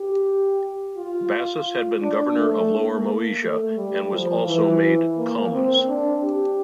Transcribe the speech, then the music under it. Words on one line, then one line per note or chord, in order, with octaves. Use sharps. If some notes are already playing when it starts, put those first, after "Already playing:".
Bassus had been Governor of Lower Moesia, and was also made "comes".
Already playing: G4
F4
D4
A3
A#3
A3
G3
F3
E3
A#3
C4
D4
G4